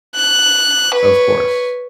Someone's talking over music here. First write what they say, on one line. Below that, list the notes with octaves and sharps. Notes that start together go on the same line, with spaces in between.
Of course.
F#6
B4 C#5